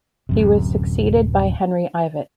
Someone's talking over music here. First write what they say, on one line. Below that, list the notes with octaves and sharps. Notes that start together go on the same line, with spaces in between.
He was succeeded by Henry Ivatt.
D1 F#2 C3